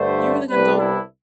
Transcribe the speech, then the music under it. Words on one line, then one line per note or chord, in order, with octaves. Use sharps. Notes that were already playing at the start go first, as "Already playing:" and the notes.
you really gonna go
Already playing: G2 D3 A3 C5
C2 C3 G3 B3 D4 B4
E4